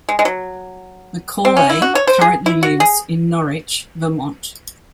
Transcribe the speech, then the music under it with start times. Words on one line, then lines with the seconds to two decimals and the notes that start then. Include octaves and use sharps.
Macaulay currently lives in Norwich, Vermont.
0.09 G#3
0.19 G#3
0.25 F#3
1.45 C4
1.57 C#4
1.70 E4
1.82 F#4
1.95 C#5
2.07 C5
2.21 G#4
2.46 E4
2.63 F#4
2.80 G#4